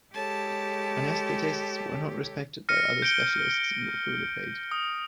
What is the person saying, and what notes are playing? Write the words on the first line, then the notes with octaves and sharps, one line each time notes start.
Anaesthetists were not respected by other specialists and were poorly paid.
G#3 G4 A4 C#5 A5 G#6
F6 A#6 C#7 D#7
G6 C#7 D7 G7
D#6